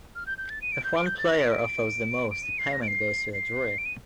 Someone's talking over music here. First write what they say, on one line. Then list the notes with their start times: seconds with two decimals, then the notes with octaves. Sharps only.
If one player offers the most, the payment goes to the druid.
0.15 F6
0.26 G6
0.38 G6
0.50 A6
0.62 D#7
0.72 D7
0.84 G6
0.96 D7
1.06 G6
1.18 A6
1.28 A#6
1.40 D7
1.51 D7
2.31 D7
2.43 D#7
2.58 C7
2.73 A#6
2.82 D7
2.88 C7
3.33 C7
3.78 D7
3.85 D#7